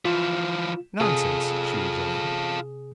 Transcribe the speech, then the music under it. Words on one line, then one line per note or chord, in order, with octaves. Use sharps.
"Nonsense," she rejoined.
E3 F3 F4
C3 F4 G#4 A4 D#6